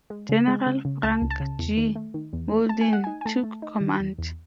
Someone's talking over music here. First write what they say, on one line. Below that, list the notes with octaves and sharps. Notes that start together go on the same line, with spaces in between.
General Frank G. Mauldin took command.
G#3
C#3
G#3
C#3
C#3
C#2 A5
C#2
A5
C#3
E2
D#3
A3
D#3
E2
A3
A3 A5
G#5
A3 F#5
D#4 G#5
G#5
A3 A5
A3
D#4
D#3
E2
E2